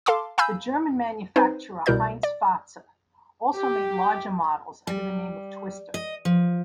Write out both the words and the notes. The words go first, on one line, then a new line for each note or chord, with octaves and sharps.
The German manufacturer Heintz-Fahtze also made larger models under the name of Twister.
A4 F5 A5 C6 D6
F5 G#5 B5 E6 G6
C4 D#4 B4 C5
C2 B2 E4 A#4 D5 G6
D5
G4
G3
D#5
F3